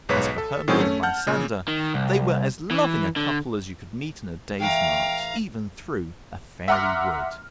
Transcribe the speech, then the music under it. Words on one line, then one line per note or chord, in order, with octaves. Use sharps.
As for Hermia and Lysander, they were as loving a couple as you could meet in a day's march, even through a fairy wood.
B1 G#2 B4 C#5 B6
A4
A2 D#3 F#3 C4 C#4 G#4
A3 C#4
F#5 A5 F6 G6
A#2 C#3
D#3
C2
E3
D3
E3 A3 F5 G5 A#5
E5 F#5 A#5 C6 D6 F6